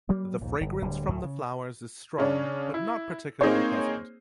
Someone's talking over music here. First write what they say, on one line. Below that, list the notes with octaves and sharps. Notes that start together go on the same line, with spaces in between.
The fragrance from the flowers is strong but not particularly pleasant.
F#3 G3 A#3
A#1 D#2 G#2
G1
D1 D3 G3
D2 A2
C#3
C#3 C#4 D4
E4
A#3 C4 D#4 G#4 C5 C#5